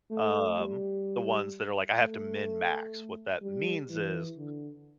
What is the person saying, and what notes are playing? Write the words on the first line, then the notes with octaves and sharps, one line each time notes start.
um, the ones that are like, "I have to mend max," what that means is,
A3
G3
A3
G3
E3
D3